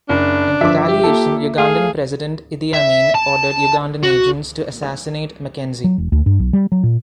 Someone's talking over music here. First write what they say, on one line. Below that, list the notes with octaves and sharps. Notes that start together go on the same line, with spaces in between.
In retaliation, Ugandan President Idi Amin ordered Ugandan agents to assassinate McKenzie.
F#1 D4
G1 F3 E5 D6
G4
A#3 F4 A4
A3 G#4 F5
E5
A5
F#4
F#3
E1
D2
G2
B1
G3
F#3
A#2